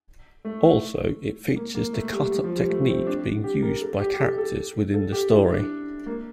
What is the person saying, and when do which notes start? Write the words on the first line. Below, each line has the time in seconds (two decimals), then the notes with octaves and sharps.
Also, it features the cut-up technique being used by characters within the story.
0.45 A3
1.56 A#3
1.75 A#3
1.93 A3
2.12 G3
2.31 G3
2.44 F3
2.56 G3
2.69 A3
2.88 C4
3.07 D4
3.44 G4
3.62 A#4
3.81 A4
4.00 G4
4.13 G4
4.20 A4
4.38 A4
4.94 A4
5.12 G4
5.31 E4
5.51 D4
6.06 A#3